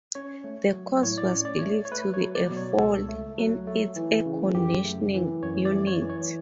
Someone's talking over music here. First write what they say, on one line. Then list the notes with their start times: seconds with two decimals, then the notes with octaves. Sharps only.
The cause was believed to be a fault in its air conditioning unit.
0.15 C#4 C#5
0.44 A3
0.74 F#3
1.03 A2 C#5
1.18 D5
1.32 C#4 C#5
1.45 D5
1.59 A3 C#5
1.85 C#5
1.91 A3 B4
2.14 C#5
2.20 F#3
2.35 D5
2.50 B2
2.57 C#5
2.78 C#2 A4
3.08 A3
3.38 F#3
3.67 A3
3.96 E3
4.26 C#3
4.54 F#2 G4
4.85 A3
5.14 E3
5.43 F#2 C#5
5.65 D5
5.72 A3
5.87 C#5
6.01 E3
6.10 C#5